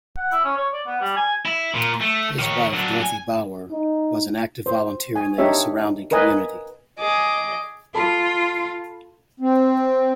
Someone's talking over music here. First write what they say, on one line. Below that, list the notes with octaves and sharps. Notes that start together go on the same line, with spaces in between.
His wife, Dorothy Brower, was an active volunteer in the surrounding community.
F#5
E4
C#4
C#5
D5
B3
G3
G#5
E4
A#2
A3
D#3 C#5
F#3 D4
G#5
D#4
C5
G#5
D4 D#4 G4 C#5 E5
A#4 B4 D#5 G#5
G#4 D#5 D6
F4 A4 A5 B5
C4